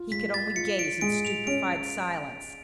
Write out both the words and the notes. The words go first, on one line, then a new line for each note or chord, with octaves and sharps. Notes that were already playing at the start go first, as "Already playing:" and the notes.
He could only gaze in stupified silence.
Already playing: F4
G#3 B6
A6
F4 C#7
D7
G#3 D7
F7
C#4 D7